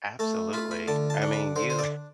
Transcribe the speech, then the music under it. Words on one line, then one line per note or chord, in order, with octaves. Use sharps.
Absolutely. I mean, you
A3 A5
F4 B5
B5
D3 A5
A5
D4
B5
D3 C5
C5
D5